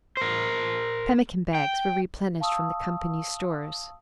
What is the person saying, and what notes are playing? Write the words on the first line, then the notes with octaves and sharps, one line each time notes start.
Pemmican-bags were replenished from the company's stores.
A#4 C5
G5
F5 A5 C#6 D#6 E6